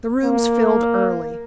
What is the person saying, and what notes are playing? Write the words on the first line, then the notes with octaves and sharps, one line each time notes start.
The rooms filled early.
A#3